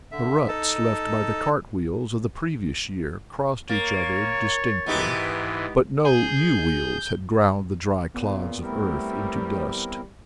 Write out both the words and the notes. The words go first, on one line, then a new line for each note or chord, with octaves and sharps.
The ruts left by the cart-wheels of the previous year crossed each other distinctly, but no new wheels had ground the dry clods of earth into dust.
D3 E5
D#4 A4 A5
A#3 C#5 A6
G#2 E3 B3 D#4 G4
G#4 G6
A#2 C#3 B3
G3 A3 C4 E4 A#4